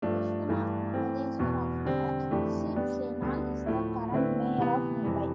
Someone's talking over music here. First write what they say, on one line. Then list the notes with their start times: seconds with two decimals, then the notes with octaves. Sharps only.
Vishwanath Mahadeshwar of the Shiv Sena is the current Mayor of Mumbai.
0.02 G2 F3 A3 D4 A4
0.48 G2 E3 A3 D4
0.94 E3 A3 C4
1.39 E2 B2 B3
1.85 D3 G3 C4
2.31 F2 E3 A3 D4 G4
2.76 G3 B3 D4
3.22 D2 D3 G3 B3
3.66 A2 F3 A3 E4
4.12 D3 A3 C4 E4 B4
4.58 C3 E3 B3
5.03 F2 C3 E3 G3